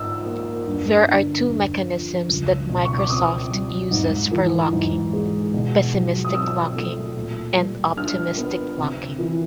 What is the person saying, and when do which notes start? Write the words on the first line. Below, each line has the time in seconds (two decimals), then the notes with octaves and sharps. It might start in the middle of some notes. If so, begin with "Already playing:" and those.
There are two mechanisms that Microsoft uses for locking: "pessimistic locking", and "optimistic locking".
Already playing: G#2 D#4 E6
0.26 A#3
0.66 G2
1.07 D3
1.48 G2
1.89 F3
2.28 C#2
2.69 B2
2.85 C#6
2.98 D6
3.10 C4 D#6
3.51 G3
3.91 G#2
4.32 E3
4.72 G#2
5.13 G#3
5.54 B2
5.94 F#3
6.25 D#6
6.35 C4 E6
6.76 A3
7.16 A#2
7.56 G3
7.97 D4 F6
8.38 B3
8.78 C3
9.19 E3